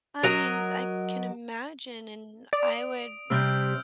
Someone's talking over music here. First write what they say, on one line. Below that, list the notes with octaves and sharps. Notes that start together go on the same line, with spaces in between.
I mean, I can imagine, and I would,
F#3 A#4 D#5
D5 D#6 D7
C3 G3 C4 E6 F6 G6